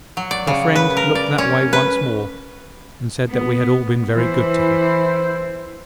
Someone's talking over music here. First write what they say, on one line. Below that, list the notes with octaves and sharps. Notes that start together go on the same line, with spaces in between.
Her friend looked that way once more, and said that we had all been very good to her.
F#3
D5
C#3
B4
A#4
D5
C#4
B4
B3
E3 E4 C5